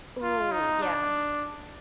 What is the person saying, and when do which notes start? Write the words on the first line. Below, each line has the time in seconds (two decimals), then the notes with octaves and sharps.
Ooh, yeah.
0.22 F4
0.52 D#4
0.82 D4